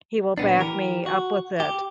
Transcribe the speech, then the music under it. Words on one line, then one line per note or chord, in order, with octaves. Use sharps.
he will back me up with it.
A#2 B3 D4
E3 G4 A#4
F#4
G4